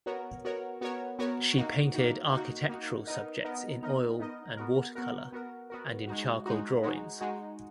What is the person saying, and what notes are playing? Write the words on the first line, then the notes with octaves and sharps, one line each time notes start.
She painted architectural subjects in oil and watercolour and in charcoal drawings.
B3 F#4 A#4 C#5
B3 F#4 A#4 C#5
B3 F#4 A#4 C#5
B3 F#4 A#4 C#5
A#3 D#4 F#4
A#3 D#4 F#4
A#3 D#4 F#4
A#3 D#4 F#4
B3 D#4 A#4 D#5
B3 D#4 A#4 D#5
B3 D#4 A#4 D#5
B3 D#4 A#4 D#5
B3 F#4 A#4
B3 F#4 A#4
B3 F#4 A#4
B3 F#4 A#4
G#3 D#4 F#4
G#3 D#4 F#4
G#3 D#4 F#4
G#3 D#4 F#4